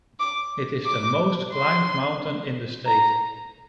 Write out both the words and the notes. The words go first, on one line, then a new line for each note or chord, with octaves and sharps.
It is the most climbed mountain in the state.
D6
D6
C6
A#5